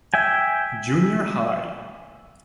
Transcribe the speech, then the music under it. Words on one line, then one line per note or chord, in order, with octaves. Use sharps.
Junior High.
E5 G5 G#5